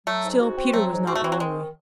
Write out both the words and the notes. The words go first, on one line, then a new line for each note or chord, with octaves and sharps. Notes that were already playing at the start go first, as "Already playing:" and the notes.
Still Peter was not lonely.
F#3 A3
G#2
F#4
C4
F#3 A3
G#2
C4 F#4
A3
E3 C4
F#3
D#3 G#3